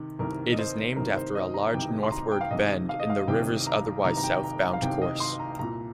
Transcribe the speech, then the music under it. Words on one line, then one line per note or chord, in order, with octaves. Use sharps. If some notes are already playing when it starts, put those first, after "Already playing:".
It is named after a large northward bend in the river's otherwise southbound course.
Already playing: C3 D#3
C2 C3 D#3 A#4
D#5
C5
C2 C3 D#3 A#4
C5
D#5
A#5
C2 C3 D#3 G5
C6
A#5
G5
F5
C2 C3 D#3 D#5
F5
D#5
F5
C2 C3 D#3 G5
A#5
C2 C3 D#3 A#5
A#5
G5
A#5
A#5
F5
C2 C3 D#3 G5
D#5
C6
A#5
C2 A#2 A#5